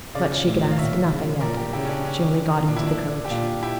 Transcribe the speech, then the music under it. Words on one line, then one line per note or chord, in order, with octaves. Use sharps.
But she could ask nothing yet; she only got into the coach.
C#3 D5 F5
A2
F5
A#2 C#5 E5
C#3
A#2 A#4 D5
G4 A#4
C#3 E4 G4
C#4
D4
C#4
A#2 D4
E4
D4
G4
A#2 D4 F4
E4 G4